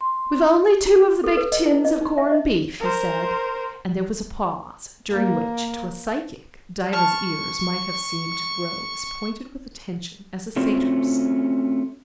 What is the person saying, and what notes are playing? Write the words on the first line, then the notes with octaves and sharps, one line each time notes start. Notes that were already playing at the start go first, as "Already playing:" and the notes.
"We've only two of the big tins of corned beef," he said; and there was a pause, during which, to a psychic, Diva's ears might have seemed to grow as pointed with attention as a satyr's.
C6
A4
B4
D#5
E4
D#5
D#4
E5
D#5
A#4 C5
A#3
A5 C#6 F6
A3 C4 C#4 F4 F#4